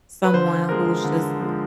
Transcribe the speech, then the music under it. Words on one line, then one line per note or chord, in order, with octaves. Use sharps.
someone who's just
B4
D3 C5
F3 G#3 A#4
D3
F3 G#3